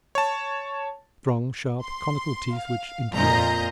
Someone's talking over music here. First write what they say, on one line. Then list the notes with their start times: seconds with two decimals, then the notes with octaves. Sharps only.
Strong sharp conical teeth which interlock.
0.15 C#5 A5
1.80 C6
2.53 F5
3.13 F2 A#2 F4 D#5 A#5 G6